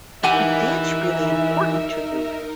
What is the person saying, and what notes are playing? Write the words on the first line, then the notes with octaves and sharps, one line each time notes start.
but that's really important to you.
E3 D#4 G4 A#4 E5 F#5 G#5